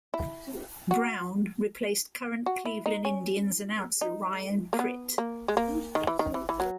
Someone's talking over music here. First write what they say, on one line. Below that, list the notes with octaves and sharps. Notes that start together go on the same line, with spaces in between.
Brown replaced current Cleveland Indians announcer Ryan Pritt.
E4
F#4
F#4
E4
D#4
C#4
D#4
A#3
B3
A#3
G#3
A#3
D#3
E3
D#3
E3
E3
F#3